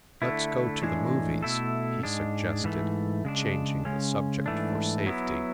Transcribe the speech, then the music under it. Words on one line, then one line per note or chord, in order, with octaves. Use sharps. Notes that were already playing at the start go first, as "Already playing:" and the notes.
"Let's go to the movies," he suggested, changing the subject for safety.
D3 A3 E4
A2 E3 G#3 D4 G#4
B2 A3 E4 A4
G#2 G#3 D4
G#2 E3 A3
C#3 G#3 D4
C#3 G#3 C#4
G#2 E3 A3 D4
F#3 B3 E4